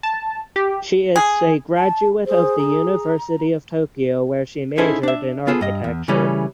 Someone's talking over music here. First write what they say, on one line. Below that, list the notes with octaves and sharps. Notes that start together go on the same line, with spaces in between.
She is a graduate of the University of Tokyo where she majored in architecture.
A5
G4
G#4
A5
G#4 C5
A#5
C#4 D#4 E4 G#4 A4 C5
D4 E5
B3 F4 G#4 A4
G2 D#5
E2
C#3 E3 G3 A3 C#4